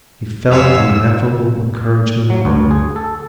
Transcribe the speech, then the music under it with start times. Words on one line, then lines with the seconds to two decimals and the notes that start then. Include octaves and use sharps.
He felt the ineffable encouragement of hope.
0.52 F2 B3 F4 C#5 F5 G#5 E6
2.30 F#3
2.45 D2
2.71 G#4
2.96 A4